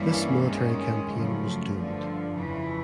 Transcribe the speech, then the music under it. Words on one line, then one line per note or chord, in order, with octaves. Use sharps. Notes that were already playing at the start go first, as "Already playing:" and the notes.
This military campaign was doomed.
Already playing: G2 E3 G3 A#3 C#4
D#3 G#3 C#4
F#2 C#3 F3 A3
G2 D3 F3
F2 C#3 E3